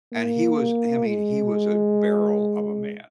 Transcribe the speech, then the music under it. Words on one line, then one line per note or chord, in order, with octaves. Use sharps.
And he was I mean, he was a barrel of a man.
A#3
G#3